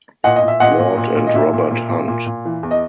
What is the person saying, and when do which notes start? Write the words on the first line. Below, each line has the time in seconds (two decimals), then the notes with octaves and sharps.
Ward and Robert Hunt.
0.24 A#2 D#5 F#5
0.36 D#5
0.43 A#2
0.48 E5
0.60 A#2 D#5 F#5
0.79 A#2
0.97 A#2
1.15 A#2
1.27 D#5
1.34 A#2 E5
1.53 A#2
1.71 A#2
1.89 A#2
2.08 A#2
2.26 A#2
2.45 E3
2.63 E2
2.71 D#5